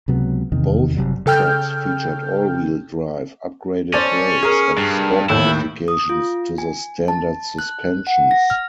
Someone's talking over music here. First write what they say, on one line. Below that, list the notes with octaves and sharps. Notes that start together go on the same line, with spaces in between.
Both trucks featured all-wheel drive, upgraded brakes, and sport modifications to the standard suspensions.
C#2 C3 F#3 B3
F1 E2 C3 D#3
F#1 C3 F#3 G3
C#3 A4 G5 F6 G6
C#4 A4 C5 D5
G#4 A#4
G2
D#2 A2 E4
D#6
F4
G#5
A5
F#6
F#5
A#6
F6